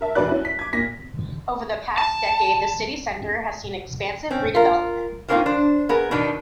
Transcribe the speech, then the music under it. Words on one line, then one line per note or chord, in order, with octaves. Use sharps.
Over the past decade the city Centre has seen expansive redevelopment.
A#4 E5 A5
B1 E2 F#4 B4 D5 F#6
C#4 E4 F#4
B6
D6 G#6
A#2 A#6 B6
A5
C4 C#4
F4 A#4
A2 A#3 C4 C#4 D#4 F4
D4 C5
B3 G#4 A#4
B2 D#3 D4 D#4